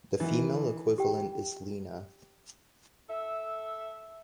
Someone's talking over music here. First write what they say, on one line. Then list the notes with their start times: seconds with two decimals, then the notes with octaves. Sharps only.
The female equivalent is Lina.
0.20 D#3 E3
0.98 G4 G5
3.10 A4 E5